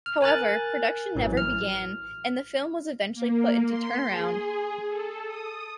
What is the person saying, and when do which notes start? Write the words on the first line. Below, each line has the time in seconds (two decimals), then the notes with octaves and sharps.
However, production never began and the film was eventually put into turnaround.
0.06 F6
0.21 A#4 G#5 F#6 A6
1.15 A1 E3 F#3
1.37 F6
3.14 A#3
3.67 C6
4.07 G#4
4.88 A4
5.26 D#6